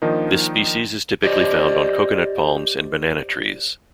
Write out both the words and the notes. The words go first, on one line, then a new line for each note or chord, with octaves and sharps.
This species is typically found on coconut palms and banana trees.
D#3 F3 A#3 D4 D#4
G4 C5 D5 D#5